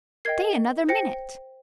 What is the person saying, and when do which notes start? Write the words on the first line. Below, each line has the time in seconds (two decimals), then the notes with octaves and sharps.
Stay another minute!
0.25 A#4 D#5 G5 G#6 C7
0.89 C5 G5 A#6 C#7